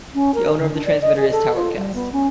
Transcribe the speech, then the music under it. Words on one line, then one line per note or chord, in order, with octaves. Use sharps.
The owner of the transmitter is Towercast.
C#4
A#4
D3
D4
D5
D#5
G#4
A4
F4
G3
B3
C#4